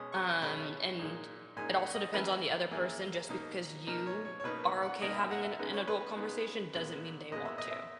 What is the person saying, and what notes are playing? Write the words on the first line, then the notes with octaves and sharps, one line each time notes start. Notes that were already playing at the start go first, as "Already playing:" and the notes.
Um, and it also depends on the other person just because you are okay having an an adult conversation doesn't mean they want to.
Already playing: B2 G#3 C#4 D#6
C#6
B2 G#3 C#4 B5
A#2 G#3 D#4
A#2 G#3 D#4 G#5
F#5
D#5
F#2 E3 A#3 E4 B4
F#2 E3 A#3 E4 G#4
B2 A#3 D#4
B2 A#3 D#4 A#4
C#5
C#5
C#5
B2 A#3 D#4 B4
B4
F#5
B2 A#3 D#4 D#5
E5
F#5
E5
C#3 G#3 B3 D#4
C#5
B4
C#3 G#3 B3 D#4
A#2 G#3 B3
A#2 G#3 B3 D#5
E5
D#5
E5